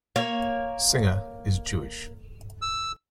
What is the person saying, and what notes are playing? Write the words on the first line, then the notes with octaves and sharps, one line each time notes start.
Singer is Jewish.
A#3 C#5
E6